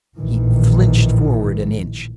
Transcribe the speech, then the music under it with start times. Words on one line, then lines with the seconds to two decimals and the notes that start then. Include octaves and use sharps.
He flinched forward, an inch.
0.18 A#1 A2 D#3 E3